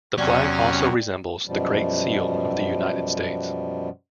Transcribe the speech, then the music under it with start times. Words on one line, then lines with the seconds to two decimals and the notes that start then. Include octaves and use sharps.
The flag also resembles the Great Seal of the United States.
0.18 E2 C3 F#3 C#4 D5 G5
1.47 F#2 B2 F3 G3